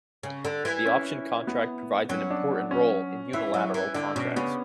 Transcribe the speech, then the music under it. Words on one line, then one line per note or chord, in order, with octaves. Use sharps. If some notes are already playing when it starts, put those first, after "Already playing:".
The option contract provides an important role in unilateral contracts.
C#3
D3
E3
C#4
B3
F#3 C#4
D4
C#4
E3 E4
F#3
E3
D3 D4
B2 C#4
C#3 B3